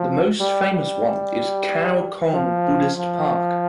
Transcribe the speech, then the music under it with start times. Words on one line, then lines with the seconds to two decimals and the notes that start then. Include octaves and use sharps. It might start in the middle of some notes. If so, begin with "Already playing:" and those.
The most famous one is Khao Kong Buddhist Park.
Already playing: F3
0.40 G3
0.73 G3
2.33 F3
2.97 F3